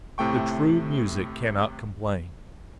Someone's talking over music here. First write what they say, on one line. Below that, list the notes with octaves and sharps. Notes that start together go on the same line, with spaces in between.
The true music cannot complain.
A2 C3 A3 G5 C#6